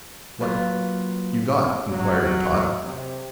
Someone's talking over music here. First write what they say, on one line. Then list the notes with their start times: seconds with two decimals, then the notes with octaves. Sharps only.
"What you got?" inquired Tot.
0.41 F#3 A#3 F4 B4
1.88 F#3
2.83 C3